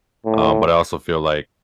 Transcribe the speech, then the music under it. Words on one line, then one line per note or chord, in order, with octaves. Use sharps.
Um, but I also feel like
A2